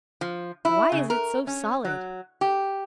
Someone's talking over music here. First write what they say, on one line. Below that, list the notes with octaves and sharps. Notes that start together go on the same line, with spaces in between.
Why is it so solid?
F3
E4
C#3
A#4
C#4
F#3
G4